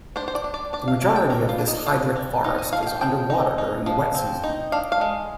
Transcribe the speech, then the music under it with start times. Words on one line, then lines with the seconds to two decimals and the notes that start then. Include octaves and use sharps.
The majority of this hydric forest is under water during the wet season.
0.16 D4 C5
0.28 C5
0.35 D5
0.44 D4
0.54 D5
0.73 D4 D5
0.88 F5
1.02 G3 F5
1.16 G5
1.30 G3 A#4
1.49 F4
1.58 D4
1.68 D#4
1.86 D4 F4
2.16 G3
2.44 D#4 F4
2.58 D#5
2.73 F3 F5
2.83 F5
2.87 G5
3.01 F3 G5
3.30 D#4
3.58 D#4
3.86 F3
4.15 C4
4.44 D#4
4.72 D4 F5
4.92 F5
5.01 G#3